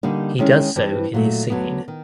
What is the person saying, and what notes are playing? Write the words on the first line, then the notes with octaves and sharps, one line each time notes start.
He does so in his singing.
D3 G3 A#3 D#4
D#3 G#3 C#4 E4 G#4
G2 E3 G3 C4
A#2 F#3 A3
D2 D3 F#3 B3
D#3